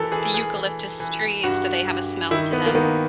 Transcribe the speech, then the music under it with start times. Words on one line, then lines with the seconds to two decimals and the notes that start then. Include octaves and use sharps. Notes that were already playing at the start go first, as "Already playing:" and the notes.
The eucalyptus trees, do they have a smell to them?
Already playing: E3 A4 A#4
0.12 E3 G#4
0.34 G#4
0.56 E3
1.00 E3
1.44 G2 F#4
1.88 G2
2.31 D#3 E4
2.53 B3
2.66 A#3
2.75 D#3 B3